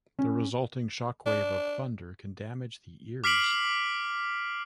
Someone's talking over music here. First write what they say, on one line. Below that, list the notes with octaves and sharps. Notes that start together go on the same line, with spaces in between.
The resulting shock wave of thunder can damage the ears.
C#4
D4
D6 F6 B6 C7 D7 F#7